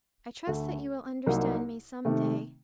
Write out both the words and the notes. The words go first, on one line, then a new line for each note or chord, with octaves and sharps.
I trust that you will understand me some day.
D2 D3 A3
C2 C3 F#3 A#3 D#4
C3 D#3 A3